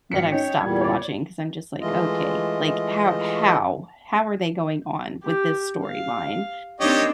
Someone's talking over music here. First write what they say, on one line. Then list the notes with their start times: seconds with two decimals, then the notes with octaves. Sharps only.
that I've stopped watching 'cause I'm just like, "Okay. Like, how how? How are they going on with this storyline?
0.11 G#1 F5 B6 C#7
0.31 C#4 D#4 C#5 G5
0.60 E2 A#2 G3 G#6
0.81 C#5 D5
1.81 E3 G#3 A3 F4 D#5
5.24 G4
5.85 F5
6.80 A#3 C4 D4 D#4 G4 C#5 D#5